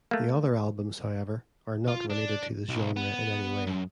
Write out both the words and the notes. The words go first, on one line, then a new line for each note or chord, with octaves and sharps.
The other albums, however, are not related to this genre in any way.
A3 A#3
F4
D4
B1
B3
F#2